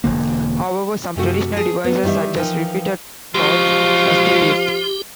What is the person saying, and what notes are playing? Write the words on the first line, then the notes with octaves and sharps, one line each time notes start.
However, some traditional devices, such as repeated chords, are still used.
E1 D#2 D3 A#3
F#2 C3 A3 F#4
F3 G#4
B3
D#3 E3 G3 G4 E5
E3 F3 D#4 A#4 G5
F3 F#3 G#3 F4 G4